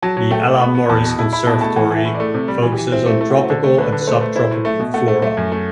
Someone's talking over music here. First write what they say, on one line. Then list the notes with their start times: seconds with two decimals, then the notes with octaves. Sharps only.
The Ella Morris Conservatory focuses on tropical and subtropical flora.
0.02 F#3 A5
0.17 F#3
0.31 A3 G5
0.45 A3
0.60 B3 B5
0.75 B3
0.89 E2 A5
1.03 B2
1.18 E4 A5
1.32 E4 B5
1.46 B2 A5
1.61 A3 A5
1.76 E3 F#5
1.91 E3
1.96 E5
2.05 A2
2.14 D5
2.20 A3
2.34 C3
2.48 G3
2.62 E3
2.72 G4
2.78 E3
2.92 C4 E4
3.06 A3 E4
3.21 A3
3.30 F#4
3.35 C4
3.49 D3 A4
3.64 A3
3.78 D3 B4
3.92 D3
4.01 B4
4.07 A3 C5
4.21 A3
4.36 E4 C5
4.51 A2
4.65 A3 E5
4.80 B2
4.94 A3 F#5
5.08 A3
5.22 A3 E5
5.37 F#2
5.52 A3